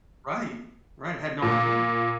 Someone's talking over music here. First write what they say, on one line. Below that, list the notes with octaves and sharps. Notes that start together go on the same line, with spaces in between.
Right, right, I had no idea.
A#2